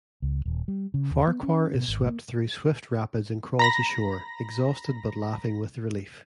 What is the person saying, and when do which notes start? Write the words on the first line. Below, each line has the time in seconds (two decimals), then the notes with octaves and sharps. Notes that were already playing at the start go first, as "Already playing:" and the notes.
Farquhar is swept through swift rapids and crawls ashore exhausted but laughing with relief.
0.22 C#2
0.46 D#1
0.68 G3
0.94 C#3
1.10 D#2
1.28 B3
1.43 C#4
1.74 B2
1.88 G#1
2.06 A#3
3.59 A#5 B5 A#6